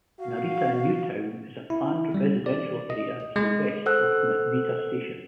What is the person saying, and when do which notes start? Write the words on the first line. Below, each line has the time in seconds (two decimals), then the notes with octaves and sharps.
Narita New Town is a planned residential area to the west of Narita Station.
0.20 F#4 F5
1.70 E4
2.14 G3
2.46 D5
2.90 D#5
3.36 G#3
3.86 A4 C5 F#5 E6 F#6